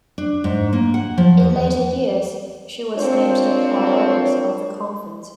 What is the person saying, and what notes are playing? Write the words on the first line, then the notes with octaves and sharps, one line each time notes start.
In later years she was named the prioress of the convent.
D4
G#2
A#3
F#5
F3
E2
C4 D4 F4 A#4 C5 C#5